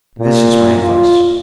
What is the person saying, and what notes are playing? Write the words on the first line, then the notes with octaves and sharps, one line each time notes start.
This is my advice.
A#2
F4